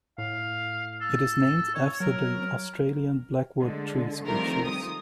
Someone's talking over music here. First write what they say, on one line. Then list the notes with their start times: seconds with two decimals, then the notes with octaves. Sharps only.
It is named after the Australian Blackwood tree species.
0.18 A2 F5
1.01 A4
1.74 C#5
2.00 F#3 A#4
3.60 D3 G#3
4.25 D#3 F3 G3 A3 C4 A#4
4.66 D#6